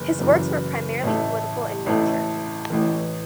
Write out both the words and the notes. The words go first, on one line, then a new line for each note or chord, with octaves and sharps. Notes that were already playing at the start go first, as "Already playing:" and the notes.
His works were primarily political in nature.
Already playing: F#1 E3
F#1 F#2 E3
A1 A2 A3
A1 A2 A3
A1 A2 E3